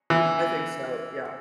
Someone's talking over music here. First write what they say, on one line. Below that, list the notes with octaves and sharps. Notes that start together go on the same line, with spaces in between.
I think so, yeah.
E3